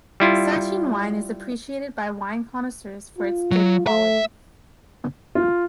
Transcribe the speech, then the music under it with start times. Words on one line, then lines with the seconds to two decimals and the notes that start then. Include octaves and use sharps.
Sartene wine is appreciated by wine connoisseurs for its good quality.
0.20 G3 E4 F4
3.18 F4
3.52 F#3
3.87 A3 E5
5.35 F4